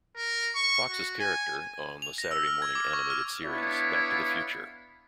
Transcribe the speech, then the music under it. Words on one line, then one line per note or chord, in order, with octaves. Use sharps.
Fox's character, on the Saturday morning animated series, "Back to the Future".
A#4
C#6
F#4
G#5
F7
A#6
E6
F6
G#6
D6
C#6
F6
B3 D4 E4 C#5 F5